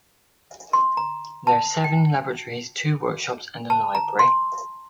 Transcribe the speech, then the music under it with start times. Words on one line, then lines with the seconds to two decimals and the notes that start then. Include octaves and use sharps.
There are seven laboratories, two workshops and a library.
0.73 C6
0.97 A#5
1.47 A5
1.84 G5
3.70 A5
3.95 A#5
4.19 C6